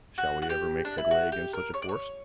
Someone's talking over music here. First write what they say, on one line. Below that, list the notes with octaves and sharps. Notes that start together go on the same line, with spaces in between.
Shall we ever make headway against such a force?
F#4
F#4
G4
D4
E4
F#4
G4
A#4
C#5
D5
C#5